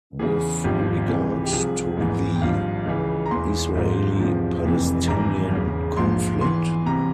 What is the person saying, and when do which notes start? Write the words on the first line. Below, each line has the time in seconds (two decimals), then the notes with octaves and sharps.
With regard to the Israeli-Palestinian conflict.
0.19 E2 C#3 E3 G#4
0.64 G#1 G2 F3 G4
1.08 C#2 C3 E3
1.45 G4
1.52 C2 C3 F3 G#4
1.97 A#1 G#2 E3
2.36 G5
2.41 G#1 G2 F3 F5
2.86 C#2 C#3 E3
3.26 A#5
3.31 E1 E2 E3 C6
3.75 G#1 G#2 F3
4.20 E1 E2 C3 F3
4.64 F1 F2 C3 E3
5.08 G#1 G2 E3 A#5
5.53 E1 E2 C#3
5.97 A#1 G#2 F3 C6
6.41 E2 E3 C6
6.86 C2 C3 E3 A#5